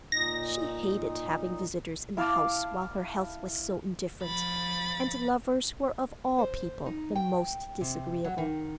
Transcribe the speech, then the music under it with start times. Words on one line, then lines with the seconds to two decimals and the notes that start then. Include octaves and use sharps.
She hated having visitors in the house while her health was so indifferent, and lovers were of all people the most disagreeable.
0.12 A#2 D#4 A#6
2.17 E4 F5 A5 D6
4.23 F3 B5 A6
6.38 C5
6.86 D#4
7.15 G5
7.81 C3
8.24 F#3
8.38 D#3